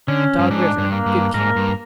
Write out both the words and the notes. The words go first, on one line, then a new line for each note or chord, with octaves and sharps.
Dog River.--Good camp.
D3 C#4
G2
G#2 D4
G2
A#3
G2
G#2 A#4
G2